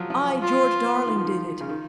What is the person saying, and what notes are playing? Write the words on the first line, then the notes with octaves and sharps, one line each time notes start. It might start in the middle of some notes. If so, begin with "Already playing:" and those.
I, George Darling, did it.
Already playing: F3 F#3
F3
F4
D#3
F3
D#3
C#3
D#3